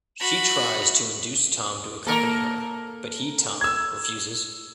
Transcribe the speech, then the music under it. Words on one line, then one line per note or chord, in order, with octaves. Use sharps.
She tries to induce Tom to accompany her but he Tom refuses.
F#4 B5
A#3 A4 A#4
E6 G#6